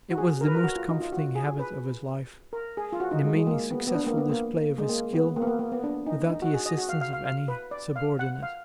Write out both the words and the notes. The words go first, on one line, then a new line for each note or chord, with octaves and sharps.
It was the most comforting habit of his life, in a mainly successful display of his skill without the assistance of any subordinate.
F#4
G#4
A#4
B4
A#4
F#4
F4
D#4
F4
F#4
G#4
B4
A#4
G#4
F4
F#4
D#4
G#3
G#3
A#3
B3
B3
D4
A#3
B3
A#3
G#3
A#3
B3
A#3
B3
A#3
A#3
B3
D4
D#4
D#4
F#4
G#4
D#5
F#4
F5
F5
F5
F5
B4
D5
F5
F#5
F5